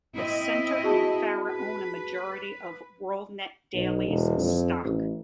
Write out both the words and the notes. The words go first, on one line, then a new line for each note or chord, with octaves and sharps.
The Center and Farah own a majority of WorldNetDaily's stock.
C4 E4 D#5
F#4 G#4 A5
B4
B1
E1
F2
A1